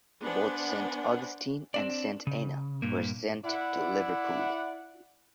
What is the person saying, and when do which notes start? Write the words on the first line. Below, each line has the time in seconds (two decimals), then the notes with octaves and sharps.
Both "St Augustine" and "St Anna" were sent into Liverpool.
0.21 B3 D4 C5 F#5 G#5 B5
1.74 C4 D4 D5
2.27 C#3
2.82 G2 A#2 A#3
3.45 E4 D5 F#5